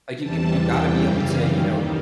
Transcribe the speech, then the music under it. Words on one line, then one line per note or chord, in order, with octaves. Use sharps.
like, you g you gotta be able to, you know,
E2 C3 E3 G3 A5
E2 C3 E3 G3 G5
F#2 C#3 E3 G3 F5
D#2 D#3 G3